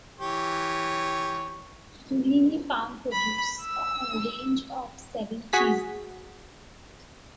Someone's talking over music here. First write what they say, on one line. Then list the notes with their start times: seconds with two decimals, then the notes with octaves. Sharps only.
Cooleeney Farm produce a range of seven cheeses.
0.20 E3 G4 C#5
3.12 B5
3.61 E6
5.53 F#4 G#4 B6